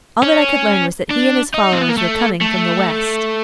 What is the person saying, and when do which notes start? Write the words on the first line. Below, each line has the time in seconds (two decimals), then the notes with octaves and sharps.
All that I could learn was that he and his followers were coming from the West.
0.23 C#4
1.11 D4
1.54 D#4
1.72 C4
1.81 B3
1.89 A#3
1.97 A3
2.41 A3